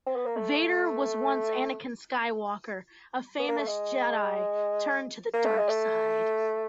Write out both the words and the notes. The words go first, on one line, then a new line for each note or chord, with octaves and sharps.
Vader was once Anakin Skywalker, a famous Jedi turned to the Dark Side.
C4
B3
A#3
A3
B3
A#3
A3
G#3
A#3
A3
G#3
A3